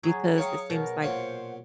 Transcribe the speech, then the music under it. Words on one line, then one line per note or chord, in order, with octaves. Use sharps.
because it seems like
F#3 G#4
C#5 F5 G5 A#5 C#6 D#6
B2 A#4
A#2 C5 C#5 F5 F#5